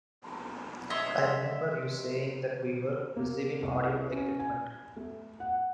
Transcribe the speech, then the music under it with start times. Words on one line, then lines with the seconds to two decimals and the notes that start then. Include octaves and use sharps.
I remember you saying that we were receiving audio equipment.
0.90 C#5 D#5 E5 C6
3.16 A#3
3.62 C2
4.12 C#4
4.40 G#5
4.97 A3
5.40 F#5